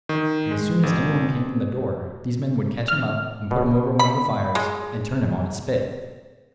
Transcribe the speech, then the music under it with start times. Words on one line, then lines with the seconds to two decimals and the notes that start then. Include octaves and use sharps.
And as soon as anyone came in the door, these men would catch him up and put him over one of the fires, and turn him on a spit.
0.09 D#3
0.51 G#3
0.83 G#1
2.88 F6
3.51 B2
3.99 B5
4.55 G#3